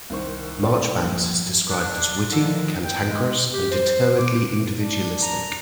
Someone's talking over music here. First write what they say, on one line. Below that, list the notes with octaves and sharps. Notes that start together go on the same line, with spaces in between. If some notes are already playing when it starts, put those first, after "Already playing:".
Marchbanks is described as witty, cantankerous, and determinedly individualistic.
C2 D#3 C5 C#6
C4 D4 F4 A4 C#5 D5
A#1 G2
A3 B3 D4
D3 D#3 F3
G5
G#3
G4
C5
D6
D4
A#5